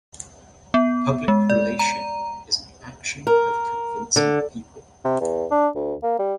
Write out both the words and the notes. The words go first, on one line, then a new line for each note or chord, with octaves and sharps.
Public relation is an action of convincing people.
B3
G#3
D5
A#5
A#4
D3
C3
E2
D4
D2
A#3
G3